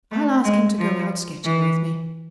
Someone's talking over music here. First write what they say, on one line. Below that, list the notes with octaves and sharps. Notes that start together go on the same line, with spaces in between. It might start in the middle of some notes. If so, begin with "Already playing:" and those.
'I'll ask him to go out sketching with me.
A3
G#3
F3
E3